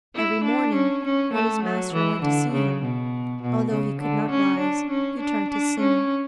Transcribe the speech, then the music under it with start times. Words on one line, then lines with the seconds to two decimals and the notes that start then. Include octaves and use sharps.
Every morning, when his master went to see him, although he could not rise, he tried to sing.
0.15 E4
0.44 D4
0.74 C#4
1.04 C#4
1.33 A3
1.63 F#3
1.93 E3
2.22 D3
2.52 C#3
2.82 B2
3.42 B2
3.71 C#3
4.01 D3
4.30 C#4
4.60 D4
4.90 C#4
5.20 D4
5.49 D4
5.79 C#4